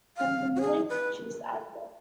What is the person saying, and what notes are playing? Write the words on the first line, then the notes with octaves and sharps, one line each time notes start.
From the "Moving Pictures" album.
F5
F#4
G#4
B4